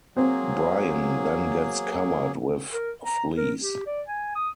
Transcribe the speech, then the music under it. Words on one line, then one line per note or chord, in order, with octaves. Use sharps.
Brian then gets covered with fleas.
F#3 A#3 C4 G#4
A#4
A#5
A#4
G4
D5
G#5
D#6